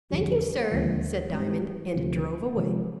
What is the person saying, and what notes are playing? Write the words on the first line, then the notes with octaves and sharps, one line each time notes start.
"Thank you, sir," said Diamond, and drove away.
F1 F2 D3 G3
D#2 D3 F3 G#3 D4
G#2 G3 C4
D2 C3 F3
C3 F3 G#3